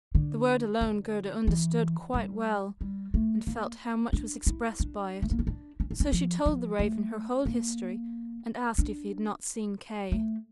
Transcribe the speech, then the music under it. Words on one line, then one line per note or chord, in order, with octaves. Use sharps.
The word "alone" Gerda understood quite well, and felt how much was expressed by it; so she told the Raven her whole history, and asked if he had not seen Kay.
D3
D3
E3
G3
G3
A3
A#3
D4
E4
D4
A3
A#3
C#4
D4
C#4
D4
C#4
F3
F3
A3
A#3
D4
A3